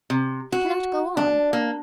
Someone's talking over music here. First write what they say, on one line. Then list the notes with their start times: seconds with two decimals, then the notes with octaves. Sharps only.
I cannot go on.
0.10 C3
0.52 F#4
1.17 D4
1.53 A#3